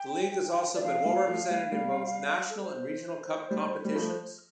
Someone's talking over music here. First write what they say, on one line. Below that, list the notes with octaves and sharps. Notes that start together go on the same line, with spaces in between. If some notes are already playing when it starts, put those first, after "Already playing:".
The league has also been well represented in both national and regional cup competitions.
Already playing: G5
D5
F3 F5
G3
F3 A3
G3
G3
A4
C5
G3
G3
F3 A3